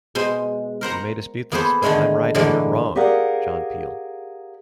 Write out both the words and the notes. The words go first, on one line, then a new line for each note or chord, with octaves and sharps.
You may dispute this, but I'm right and you're wrong! John Peel.
B2 G#3 C5
A#4 C5 F#5 A#5
A#3 B3 G#4 A4 B4 C5
D3 D#3 G#3 A3 G#4
A2 D3 E3 F#3 G#3 A#3
G4 G#4 A#4 D5 F5 F#5